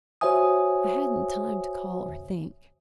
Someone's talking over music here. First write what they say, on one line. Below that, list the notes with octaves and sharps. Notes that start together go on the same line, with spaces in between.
I hadn't time to call or think.
F#4 C5 C#5 E5 G#5 D#6